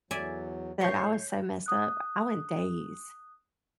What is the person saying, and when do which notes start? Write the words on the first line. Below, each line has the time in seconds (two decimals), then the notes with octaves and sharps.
that I was so messed up, I went days,
0.11 E2 F#3 D5 E5 G#5
0.81 A2 C#5 G6 C7 C#7
1.66 D#6 F#6